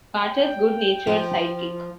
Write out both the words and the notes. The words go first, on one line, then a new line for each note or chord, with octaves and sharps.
Carter's good-natured sidekick.
G5
F3